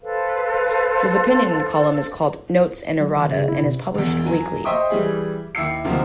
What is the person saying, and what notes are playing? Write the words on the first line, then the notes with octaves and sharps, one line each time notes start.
His opinion column is called "Notes and Errata" and is published weekly.
A4 B4 C5 F5
F#3
D#3
C#3
E4
C3
E1 E2
F#3 G#5
C5 D#5 E5 G5 C#6 D#6
E3 G3 G#4
D#2 E4 D6 E6 C7 C#7
D2 C3 D#3 F3 F#3 A#3